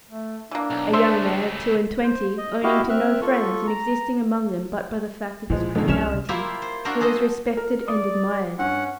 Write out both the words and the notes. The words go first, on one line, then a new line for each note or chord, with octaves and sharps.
A young man of two-and-twenty owning to no friends, and existing among them but by the fact of his criminality, he was respected and admired.
A3
E3 A#3 D4
B1
C#3 A3 C5 E5
C5
D#5
E4 F#4 G4 D#5 F5
C4 E5 F6 F#6
F4 A4 C#6
A#5
A#2 E3 F3 G#3
F2 D3 D#3 G#3 A#3
C2 G3 C#4 E5 F6 E7 F7
A#3 E4 F4 G4 C5 E5
C5
D4 F4 F#4 A4 A#4 C5
G#4 A4 C5 D#5
A#4
D5 D#6
G2 C#4 F#5